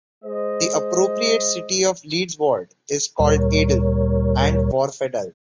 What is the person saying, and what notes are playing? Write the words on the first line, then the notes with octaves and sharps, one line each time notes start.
The appropriate City of Leeds Ward is called Adel and Wharefedale.
G#3 C5 D#5
D2 A#2 G3 A#4 C#5